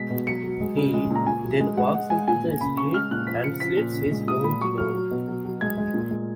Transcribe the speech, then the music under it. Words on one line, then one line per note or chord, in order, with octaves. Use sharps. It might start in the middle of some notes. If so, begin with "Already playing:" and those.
He then walks into the street and slits his own throat.
Already playing: B2 G#3 B6
B2
F#3 C#7
F#3
G#3
C#3
G#3
A#2
A#5
A#2 G#5
F#3
G#3
G#3 F#5
G#3 F#5
G#3 G#5
A#2 G#5
A#2
C#3 B5
C#3 C#6
G#3 F6
A#2 F#6
F3 B6
C#3 C#7
F3 B6
A#2
C#3
G#3
A#2 D#6
A#2 B5
F#3 C#6
F#3 F6
F#3
B2
F#3
F#3
G#3 G#6
G#3
A#2
G#3